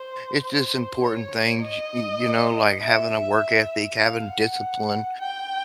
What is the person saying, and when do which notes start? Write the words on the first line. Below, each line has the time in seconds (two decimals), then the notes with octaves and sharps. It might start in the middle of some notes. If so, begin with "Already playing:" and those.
it's just important things, y y you know, like having a work ethic, having discipline,
Already playing: C5
0.42 C5
1.02 C#5
1.61 D#5
2.81 E5
4.01 F5
4.30 F#5
5.20 G5